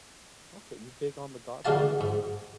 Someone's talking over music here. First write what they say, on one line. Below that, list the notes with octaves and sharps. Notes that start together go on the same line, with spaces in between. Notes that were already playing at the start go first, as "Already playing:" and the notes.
Okay. You big on The Godfather movies?
D3 G#3 D4 F#4 F5 A5
G#2